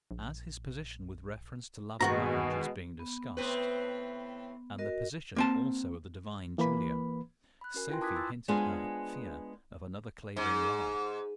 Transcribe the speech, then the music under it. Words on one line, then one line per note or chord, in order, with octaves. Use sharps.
As his position with reference to love and marriage was being discussed, and the position also of the divine Julia, Sophie hinted her fear of another Clavering lover.
A#1
G2 B2 D#3 G#3 F#4 A#5
B3
A2 C4 B4
F#4 A#4 D#5
A#3 C4 A5
E3 A#3 B4 B5
B5 F#6
C#4 F#4 A#4 G#5
E4 F4 B4 G5 G#5 C6
A5 D6 D#6 F#6 G#6 B6
A5 B5 C6 E6 A6
G#3 B3 D4 F4 G#4 C5
G#2